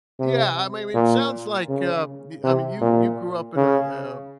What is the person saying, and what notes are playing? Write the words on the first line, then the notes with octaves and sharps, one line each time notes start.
yeah, I m I mean, it sounds like, uh I mean, you you grew up in a, uh,
C3
A#2
C#3
C3
A#2
C#3